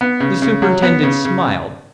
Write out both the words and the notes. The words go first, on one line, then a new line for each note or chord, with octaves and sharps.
The superintendent smiled.
B3
C#3
C#3
F#3
B3
C#3
C#3